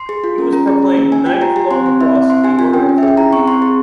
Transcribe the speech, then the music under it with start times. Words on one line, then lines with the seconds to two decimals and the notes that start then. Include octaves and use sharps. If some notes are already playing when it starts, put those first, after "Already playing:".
He was proclaimed "Knight of the Golden Cross of the Order of the Redeemer".
Already playing: C6
0.09 G#4
0.24 F4
0.38 C#4
0.53 C#4 A#5
0.68 G#4
0.82 C#4
0.97 A#3
1.12 A#3 G#5
1.26 F4 G5
1.41 G4 A#5
1.56 G4 G#5
1.71 C4 C6
1.86 C4
2.01 E4 E5
2.15 C4
2.30 C4 C6
2.44 G4 G#5
2.59 F4 G#5
2.74 C#4 G5
2.89 C#4
2.98 E5
3.03 G#4
3.08 G5
3.17 E4 A#5
3.33 C4 C#6
3.48 C4 C6
3.62 G#4